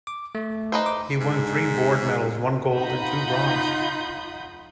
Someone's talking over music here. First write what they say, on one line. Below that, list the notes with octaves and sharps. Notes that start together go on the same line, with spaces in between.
He won three board medals, one gold and two bronze.
D6
A3
D#4 B4 C5
D6
G#2
D#4 F4 F#5 B5 D#6 G6